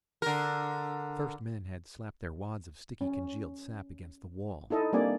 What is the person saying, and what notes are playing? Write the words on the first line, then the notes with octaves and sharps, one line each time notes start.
The first men had slapped their wads of sticky congealed sap against the wall.
D3 A#4
C#4
D#4 E4 A4 D#5
G3 A#3 C4 D4 D5 G#5